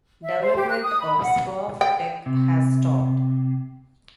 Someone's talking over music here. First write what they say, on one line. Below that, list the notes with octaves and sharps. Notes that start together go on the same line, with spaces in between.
Development of Swfdec has stopped.
E5
C5
G4
F#6
D#6
B5
F#5
G5
C3